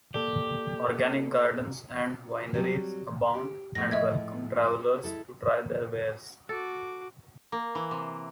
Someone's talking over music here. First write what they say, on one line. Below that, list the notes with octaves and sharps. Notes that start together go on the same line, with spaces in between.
Organic gardens and vineries abound and welcome travelers to try their wares.
A#3 G4 A4 D5
F#3 G3 C4
G4
A2 F3 G#3 A#6
D#5 E5 G#6
G#3 E4 A4
F#4 A4 D6
A#3
E3
C3